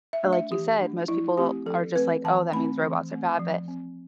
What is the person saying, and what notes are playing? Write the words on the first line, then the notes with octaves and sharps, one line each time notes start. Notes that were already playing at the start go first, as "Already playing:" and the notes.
uh, like you said, most people are just like, "Oh, that means robots are bad," but,
E5
A3 D4
E5
E3 G4
A3 D4
F3 E4
A3 C4 G4
F3 A4
A3 C4 B4
E3 A5
A3 C4 B5
E3
A3 C4
F3
C4